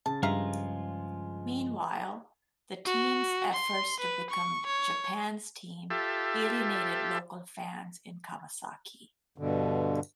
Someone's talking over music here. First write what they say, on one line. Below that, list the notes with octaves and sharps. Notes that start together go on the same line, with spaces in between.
Meanwhile, the team's efforts to become "Japan's Team" alienated local fans in Kawasaki.
C#3 A5
G2 F3 G#3 F4 E5 F5 A#5
F#4
C6
B4
C#6
C#5
F4 G4 A4 E5
G2 B2 D3